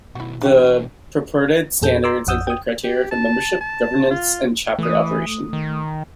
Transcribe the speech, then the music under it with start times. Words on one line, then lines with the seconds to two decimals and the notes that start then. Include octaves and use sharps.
The purported standards include criteria for membership, governance and chapter operation.
0.15 B2 D#3 E4 F#4
0.42 B2 E3 D4 F#4 G4
1.82 E2 A#2 G#4 A4 G6
2.04 A#5 C6 D6 E6
2.27 A1 F2 F#5 D#6 E6 G6
2.47 G5 D#6
2.84 G4
3.11 A5
3.61 A5
4.11 F4
4.79 E3 A3 D#6
5.53 D#3